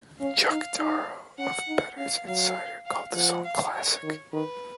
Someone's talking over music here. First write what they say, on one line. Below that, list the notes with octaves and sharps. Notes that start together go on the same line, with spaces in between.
Chuck Darrow of "Bettors Insider" called the song "classic".
C#4 F5
D#4
D#4
C#4 F#5
D#4
C#4 F5
F#3 F5
F5
F3 F#5
F5
C#5
D#3
D#3 B4